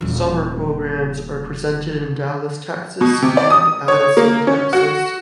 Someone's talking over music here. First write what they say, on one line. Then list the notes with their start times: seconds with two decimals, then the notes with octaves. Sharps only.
Summer programs are presented in Dallas, Texas, and Addison, Texas.
0.01 D#1 F4
3.01 B2
3.22 C3
3.37 D5
3.50 D#6
3.88 C#5
4.17 A#3
4.47 C#4
4.73 F#4